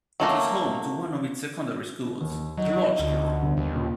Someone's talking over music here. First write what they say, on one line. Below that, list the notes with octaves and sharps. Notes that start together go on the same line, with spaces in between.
It is home to one of its secondary schools, The Lodge School.
F#3 A3 A#3
D#2
F#3 D#4
D2
G1
D#2
A#2 C#3